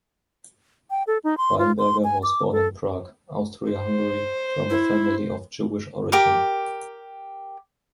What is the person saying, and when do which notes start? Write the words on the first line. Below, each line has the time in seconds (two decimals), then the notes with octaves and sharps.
Weinberger was born in Prague, Austria-Hungary, from a family of Jewish origin.
0.90 G5
1.07 A4
1.24 D#4
1.38 C6
1.59 F4
1.79 C6
2.04 G#5
2.23 D6
2.52 A4
3.71 C5
4.70 E4
6.12 G4 A#4 D6